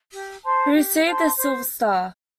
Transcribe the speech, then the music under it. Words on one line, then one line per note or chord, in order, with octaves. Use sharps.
He received the Silver Star.
G4
C5 A5 C6
G4
C5 A5 C6
C5